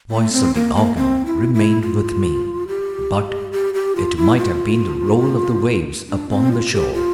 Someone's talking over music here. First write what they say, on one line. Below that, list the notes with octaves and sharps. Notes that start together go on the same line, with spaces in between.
The voice of the organ remained with me, but it might have been the roll of the waves upon the shore.
A3
C4
A#3
A#3
C4
E4
E4
F4
G4
G4
G4
F4
E4
F4
D4
C4
F4
G4
F4